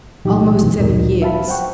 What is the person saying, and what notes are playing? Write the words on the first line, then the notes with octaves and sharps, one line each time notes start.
"Almost seven years."
C2 A#2 E3 F#3 D#4 G4
F#2 B2 E3
D2 A#2 D#4 A#4
E5 F5 A5 B5
C5 F#5 G5 C#6